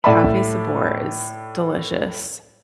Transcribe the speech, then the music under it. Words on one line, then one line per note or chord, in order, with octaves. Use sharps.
Cafe Sabor is delicious.
A2 D5 E5 A5 B5